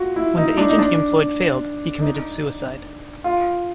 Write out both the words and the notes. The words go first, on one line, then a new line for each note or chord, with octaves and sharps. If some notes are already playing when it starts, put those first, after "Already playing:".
When the agent he employed failed, he committed suicide.
Already playing: F4 F#4
E4
D#4
D4
D#4
D4
D#4
F4